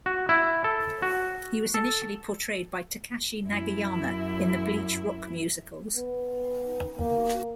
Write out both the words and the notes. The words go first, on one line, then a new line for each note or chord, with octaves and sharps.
He was initially portrayed by Takashi Nagayama in the "Bleach" rock musicals.
F#4
E4
A4
F#4
A4
F#2 E4
B3
A#3